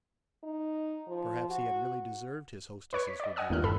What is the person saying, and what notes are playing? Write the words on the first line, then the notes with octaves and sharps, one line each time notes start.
Perhaps he had really deserved his hostess' rebuke.
D#4
F3
F#4
B4 C#5 C#6
B6
D5 D#5
D#5 F#5 G#5 D#6 F6
G1 E2 A#2 D#3 F6 F#6
G2 A4 B5 F6